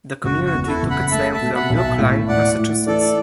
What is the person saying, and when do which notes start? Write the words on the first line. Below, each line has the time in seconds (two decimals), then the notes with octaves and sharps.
The community took its name from Brookline, Massachusetts.
0.24 F#1 F#4
0.46 F#4
0.53 E2
0.63 F#4
0.67 E4 A4
0.83 F#1
0.90 F#5 B5
1.07 B5
1.11 A3 E5 A5
1.33 E5 A5
1.41 B2
1.55 F#5 B5
1.70 B1
1.77 E5 A5
1.99 A2
2.28 A2 D5 F#5
2.58 A2
2.87 E3 A4 D5